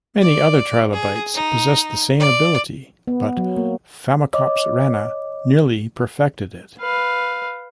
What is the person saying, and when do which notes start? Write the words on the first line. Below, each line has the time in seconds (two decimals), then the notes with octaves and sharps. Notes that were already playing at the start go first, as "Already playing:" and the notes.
Many other trilobites possessed the same ability, but "Phacops rana" nearly perfected it.
0.21 D5
0.93 G#4
1.34 D#4
2.19 D5
3.07 B3
3.37 F#3
3.57 A#3
4.33 C#5 D#5 D6
6.80 B4 F5